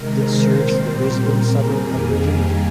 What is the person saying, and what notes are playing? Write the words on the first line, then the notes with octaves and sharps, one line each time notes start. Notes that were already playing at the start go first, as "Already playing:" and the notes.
It serves the Brisbane suburb of Virginia.
Already playing: C3 D#3 G#3 A#4
C5
A#2 G3 C4
C5
A#2 G3 C4 A#4
G#4
F2 D#3 G3 A#3
G4